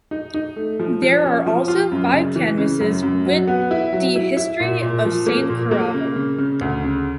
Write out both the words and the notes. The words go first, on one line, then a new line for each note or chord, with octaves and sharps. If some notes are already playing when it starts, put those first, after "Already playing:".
There are also five canvases with the history of St Corrado.
D#4
D#4
A3
F3
F3
C#4
F3
F4
F#2
C#3
E3
C#3
F#2
F#2
F#3
B3
E4
F#3
E4
E4
A#2
A#2
F3
A#3
A#2
A#3
C#3
C#3
C#3
D2
C#3